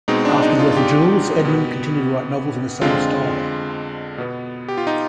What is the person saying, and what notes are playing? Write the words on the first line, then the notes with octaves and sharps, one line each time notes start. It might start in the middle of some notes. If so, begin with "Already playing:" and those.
After the death of Jules, Edmond continued to write novels in the same style.
B2 G#3 C4 D#4
D4
D#4
F4
G4
B2 B3
F2 D3 G#3 C4 F4
B2 B3
G4
F4
D#4